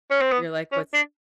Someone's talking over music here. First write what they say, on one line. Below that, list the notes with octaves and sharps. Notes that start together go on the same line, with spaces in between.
You're like, "What's
C#4
C4
B3
C#4
D4